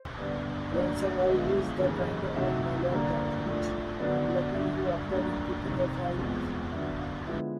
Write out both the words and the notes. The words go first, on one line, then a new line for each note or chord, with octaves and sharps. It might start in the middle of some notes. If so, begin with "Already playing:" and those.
Ransomware is the kind of malware that blackmails you after encrypting your files.
Already playing: C5
G2 D3 G3 B3 D4
D2 D3 F#3 A#3 D4 C#5
D5
D3 F3 G#3 B3 D#5
F5
E5
F5
D#2 C#3 E3
D#5
D#5
C3 D#3 F#3 A3 E5
D3 G3 A#3 D4
A2 F3 A3 D4
D3 F#3 B3 D4
G2 D3 F#3 E5
D2 D3 G3 A#3
C3 D#3 G3 C4 D#4 D#5
E2 B2 G#3 C4 F4
D3 F#3 B3 E5
F5
D3 F3 G#3 B3 E4 E5